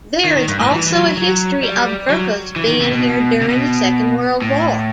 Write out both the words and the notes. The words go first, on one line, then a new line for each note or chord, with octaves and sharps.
There is also a history of Gurkhas being here during the Second World War.
D#3
D#3
G2
A2
E3
E3
F#3
F#3
G3
F#3
E3
D#3
C3
B2
C3
B2
A2